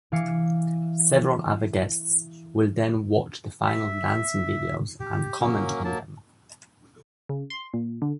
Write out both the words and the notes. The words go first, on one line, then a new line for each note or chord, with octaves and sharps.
Several other guests will then watch the final dancing videos and comment on them.
E3 F5 D6 C7 C#7
E5
G4
F#3 A#3 C#4
F#3 A#3 A5
C#3
C6
A#2
D3